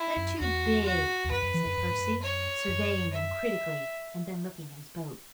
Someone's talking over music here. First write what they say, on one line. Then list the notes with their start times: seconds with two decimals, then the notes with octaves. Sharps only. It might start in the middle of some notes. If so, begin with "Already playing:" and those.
"They're too big," said Percy, surveying them critically, and then looking at his boat.
Already playing: E4
0.16 F#2
0.40 E2 F#4
0.85 F#4
1.24 E2
1.31 F#2 B4
1.42 F#2
1.54 E3
1.65 F#2
1.77 F#2
1.90 G#2
1.99 F#2
2.22 C#5
2.68 F#2
3.13 E5